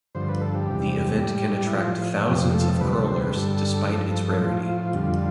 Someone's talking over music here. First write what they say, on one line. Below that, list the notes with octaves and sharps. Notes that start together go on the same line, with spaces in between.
The event can attract thousands of curlers despite its rarity.
G2 D3 F3 C5
B4
A4
G4
E2 C3 G3
A2 G3
E4
A2 F3 F4
F2 C3 F3 G4
G4
A4
D2 C3 G3 B4
A4
C5
B4
G2 D3 G3 A4
G2 F3
A2 F3 F4
F2 D3 G3